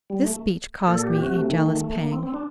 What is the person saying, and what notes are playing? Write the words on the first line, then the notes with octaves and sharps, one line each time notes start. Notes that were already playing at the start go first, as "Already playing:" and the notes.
This speech caused me a jealous pang.
G3
A3
A#2 A4
G4
C3 F#4
A3
D#3 A3
A3
A3
A#3
C4
C4
D4